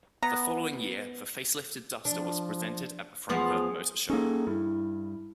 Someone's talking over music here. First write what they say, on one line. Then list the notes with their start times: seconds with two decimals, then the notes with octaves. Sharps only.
The following year, the facelifted Duster was presented at the Frankfurt Motor Show.
0.23 B3 A#5
2.05 F3 D4
3.29 E2 F3 B3 G#4
4.10 A#3 C#4 D#4 G#4 A4
4.47 G2 E4